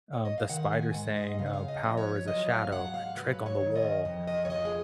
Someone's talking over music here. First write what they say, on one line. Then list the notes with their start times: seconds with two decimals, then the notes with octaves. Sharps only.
um, the Spider saying, uh, "Power is a shadow, a trick on the wall."
0.13 C#5
0.25 D#5
0.38 F5
0.50 D#3 F#5
0.73 G#5
0.94 G#2 F#5
1.16 D#5
1.39 C#3 F5
1.46 F#5
1.53 F5
1.68 D#5
1.83 F3
1.97 C#5
2.28 F#3 D#5
2.50 F5
2.72 G#2 F#5
2.94 F5
3.16 F#3 B4
3.46 C#5
3.61 D#3
3.76 D#5
4.05 F2 D#5
4.28 D#5
4.45 C#5
4.49 F3 D#5
4.65 G#4